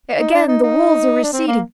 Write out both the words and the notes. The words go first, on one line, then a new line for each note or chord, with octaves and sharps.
Again the walls are receding....
D#4
D4
D#4
D#4
D4
C4
A#3